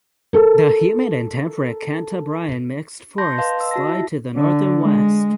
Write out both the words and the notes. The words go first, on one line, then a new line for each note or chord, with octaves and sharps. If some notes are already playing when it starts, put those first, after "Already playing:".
The humid and temperate Cantabrian mixed forests lie to the north and west.
A4 A#4
A5 C6 G6 A#6
B4 D#5 F5 A5 C6
D#5 E6
F#4 A5 A#6
E4 F4 E5
D3
G#3